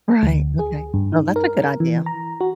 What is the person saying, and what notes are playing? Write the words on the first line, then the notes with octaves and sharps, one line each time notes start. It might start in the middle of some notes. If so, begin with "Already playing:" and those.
Right, okay. Well, that's a good idea.
D2
G#4
G2
D#4
A#4
E3
A#5
F#4